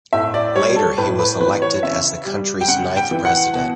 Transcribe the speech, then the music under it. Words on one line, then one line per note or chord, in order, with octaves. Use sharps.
Later he was elected as the country's ninth president.
A2 E5
D5
G3 C#5
A4
A2 B4
B4
E3 B4
C#5
C#3 E5
G3
G5
C#3 F#5
G5
E3
F#5
B2